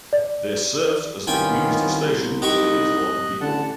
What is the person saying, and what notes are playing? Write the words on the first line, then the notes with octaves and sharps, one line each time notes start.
This serves as the community station for the Islam people.
D5
C2 D#3 B3 C#4 F4 G5 G#5
D#4 G4 D#5 C#6 F#6
A1 D3 F#5 A5